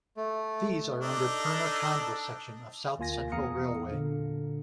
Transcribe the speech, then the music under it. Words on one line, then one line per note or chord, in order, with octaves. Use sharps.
These are under Purna - Khandwa Section of South Central Railway.
A3
D4 D#4 A4
D2 A#3 F4 G#5 A#6
E2 F5 A#5 D#6 C#7
A#2 D3